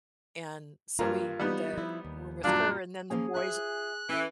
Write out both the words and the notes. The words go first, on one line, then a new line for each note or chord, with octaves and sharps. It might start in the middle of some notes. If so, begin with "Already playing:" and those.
And so we the were with her and then the boys
G2 A#3 F4 A#5
G3 B3 D#4
F3 E4
D#2
F#2 A#2 G3 D4 F5
F3 A#3 C#4 G#4
F4 C5 E5 F#6
E3 C#4 A4